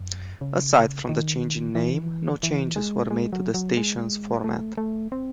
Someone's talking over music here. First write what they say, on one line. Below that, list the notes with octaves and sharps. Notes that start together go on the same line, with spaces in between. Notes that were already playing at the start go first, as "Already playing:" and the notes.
Aside from the change in name, no changes were made to the station's format.
Already playing: F#2
C#3
D#3
E3
E3
G#3
G#3
F#3
F#3
G#3
A3
A3
C4